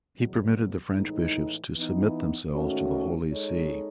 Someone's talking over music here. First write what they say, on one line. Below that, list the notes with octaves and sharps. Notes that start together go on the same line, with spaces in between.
He permitted the French Bishops to submit themselves to the Holy See.
E2 B2 F#3
A2 E3 G#3 D#4
E3 B3 D#4
G#2 D#3 A3 C#4 F#4
G#3 D#4 A4 C#5